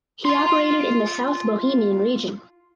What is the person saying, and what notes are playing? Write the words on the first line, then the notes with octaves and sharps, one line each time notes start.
He operated in the South Bohemian Region.
F4 C6